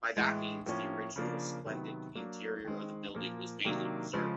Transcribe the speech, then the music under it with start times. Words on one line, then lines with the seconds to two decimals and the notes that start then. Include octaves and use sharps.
By that means, the original splendid interior of the building was mainly preserved.
0.17 A2 E3 G#3
0.66 A2 F3 A#3 C#4
1.16 C#3 F3 A#3 D4
1.66 C3 D#3 F#3 B3
2.15 F#3 A#3 D4
2.64 D#3 G#3 C4
3.14 A#2 F3 A#3
3.65 C3 D#3 F#3 A#3 D4
4.14 C#3 F3 G#3